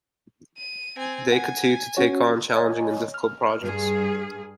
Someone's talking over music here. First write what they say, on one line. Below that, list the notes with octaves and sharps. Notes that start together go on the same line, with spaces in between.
Day continued to take on challenging and difficult projects.
D#7
C4 G#5
F#5 G#5
C#4 F#4 C#5
C#5 D#5 G#5
F6
G2 G#4